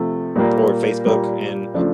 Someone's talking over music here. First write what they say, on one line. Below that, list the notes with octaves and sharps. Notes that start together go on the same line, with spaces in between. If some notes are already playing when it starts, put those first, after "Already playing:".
or Facebook, and
Already playing: C3 F3 A3
A#2 G3 A#3
A#2 G3 A#3
C#3 F3 A3 D4